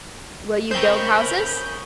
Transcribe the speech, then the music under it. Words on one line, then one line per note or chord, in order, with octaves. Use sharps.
"Will you build houses?"
G#4 A#4 C5 C#5 G5 B5 G6